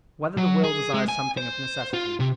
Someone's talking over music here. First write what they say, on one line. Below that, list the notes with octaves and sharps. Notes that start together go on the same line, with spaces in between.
Whether the Will Desires Something of Necessity?
F#3
G#4
G#3
G#5
C5
F4
C3